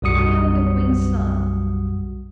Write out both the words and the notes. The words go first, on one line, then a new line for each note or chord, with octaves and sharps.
I'm the Queen's son.
B1 F#2 G3 F#4 D#6 C#7